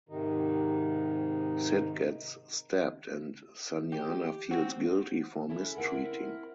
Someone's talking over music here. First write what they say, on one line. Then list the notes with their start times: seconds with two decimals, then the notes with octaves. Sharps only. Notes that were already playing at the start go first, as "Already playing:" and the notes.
Sid gets stabbed and Sanjana feels guilty for mistreating.
0.09 G#2 C3 D#3 D#4
3.92 G4
4.51 C4 F#4
5.49 C#4 E4 G#4 A4
5.77 C4 E4 A#4 F#5